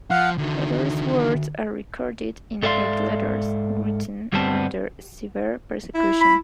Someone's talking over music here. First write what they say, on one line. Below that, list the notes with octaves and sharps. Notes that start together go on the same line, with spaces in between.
Hutter's words are recorded in eight letters, written under severe persecution.
F3 F5 F#5
D2 D3 D#3
G#2 A4 D5 E5 F5 C6
D2 G2 G3 B3 C4 A5
E4
B5